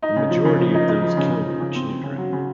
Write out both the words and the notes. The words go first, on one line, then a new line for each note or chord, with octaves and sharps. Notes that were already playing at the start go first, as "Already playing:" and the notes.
The majority of those killed were children.
D#4
C#3
F3
C#3
F3
D#4
D#4
F3
C#3
C#3
F3
C#3
C4
C4
C#3
F#3
C#3